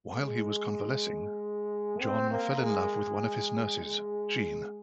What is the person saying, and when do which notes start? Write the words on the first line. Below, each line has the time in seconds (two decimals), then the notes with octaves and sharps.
While he was convalescing, John fell in love with one of his nurses, Jean.
0.15 G#3
2.00 C4
2.30 A#3
2.61 G#3
3.84 G#3